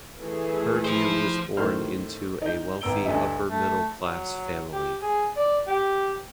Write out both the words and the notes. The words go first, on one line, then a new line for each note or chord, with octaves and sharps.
Hervieu was born into a wealthy upper-middle-class family.
E3 A3 G#4
F3 E4 C5
A2 D#3 C5 F6
D#4 G6
G#1 B3 A#5 E6 D7 G7
D2 G2 A4 D#5 E5
A3
F#3
G4
G#4
D5
G4